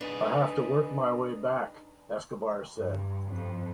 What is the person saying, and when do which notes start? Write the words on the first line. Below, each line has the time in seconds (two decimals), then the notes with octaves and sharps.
I have to work my way back, Escobar said.
0.01 D4 D#4 G#4 B4
2.77 G2
3.29 F2